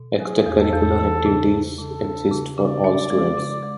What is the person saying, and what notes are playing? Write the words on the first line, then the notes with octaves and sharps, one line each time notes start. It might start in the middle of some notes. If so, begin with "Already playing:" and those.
Extracurricular activities exist for all students.
Already playing: B2
F#3 G#4
E2
A4
E2
E3
C#3
D4
C#3 A4
D4
C#3
C#3 D5
D4
G#3
C#3
G#3